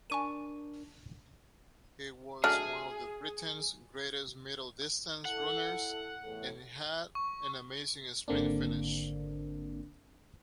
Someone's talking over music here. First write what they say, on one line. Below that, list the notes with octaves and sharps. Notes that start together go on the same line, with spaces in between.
He was one of Britain's greatest middle-distance runners and had an amazing sprint finish.
D4 A#4 G#5 C#6 D#7
F#3 A3 D4 G#4 F6
E4 A4 F#5
E2 A2 A4
C#6
G#1 D3 A#3 C4 D4